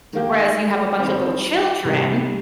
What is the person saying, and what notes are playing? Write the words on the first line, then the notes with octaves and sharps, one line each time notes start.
whereas you have a bunch of little children
D#3 A#3 G4
D#3 G3 C4
C2 C3 D#3 G3